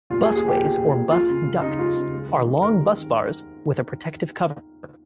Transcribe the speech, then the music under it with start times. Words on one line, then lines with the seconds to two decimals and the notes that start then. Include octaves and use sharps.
Busways, or bus ducts, are long busbars with a protective cover.
0.10 A#2 F4
0.23 G#4
0.27 A#3
0.35 G#4
0.44 F3 G4
0.61 A#2
0.77 A#2
0.94 A#3
1.11 G#3 F4
1.28 C#3
1.44 G#3
1.61 C#3 D#4
1.79 G#3 F4
1.95 C#3
2.12 G#3
2.29 D#3
2.46 G#3
2.62 D#3 A#4
2.79 G#3
2.96 D#3